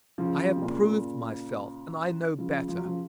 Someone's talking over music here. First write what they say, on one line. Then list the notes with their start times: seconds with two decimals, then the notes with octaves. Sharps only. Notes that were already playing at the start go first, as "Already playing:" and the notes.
I have proved myself, and I know better.
0.18 C#3 F3
0.56 C3
0.62 A#2 C#3
2.38 C#3 F3
2.68 F3
2.77 F#3
2.85 C#3 F3